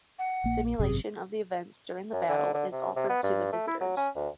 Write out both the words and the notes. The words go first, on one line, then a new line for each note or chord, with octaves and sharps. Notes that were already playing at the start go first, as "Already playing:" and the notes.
Simulation of the events during the battle is offered to the visitors.
F#5
A#1 A#3
G#1 F#2 C3 G#4
F#2
D3
D3
C3
C3
B3
G2
A3
E4
F#3
C#4
D2